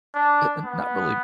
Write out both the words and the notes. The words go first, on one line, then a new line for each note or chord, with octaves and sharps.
eh eh not really
D4
B3